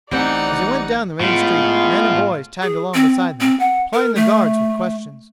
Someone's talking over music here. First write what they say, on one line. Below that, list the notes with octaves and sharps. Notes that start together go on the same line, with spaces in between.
As they went down the main street, men and boys tagged along beside them, plying the guards with questions.
A1 E3 G3 C4 D#4 D5 F#5
A2 G#3 B3 F4
G#4
C4
C4
F#5
A#4
A3